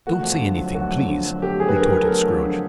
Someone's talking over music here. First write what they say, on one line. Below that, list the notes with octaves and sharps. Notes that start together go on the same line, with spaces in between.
"Don't say anything, please," retorted Scrooge.
A3 F#4
F2
D3
F#3
A3 F#4
F2
D3
F#3
A3 G4
F2 G#4
B4
D3 A#4
F#3 A#4
A4
A3 A#4
F2
D3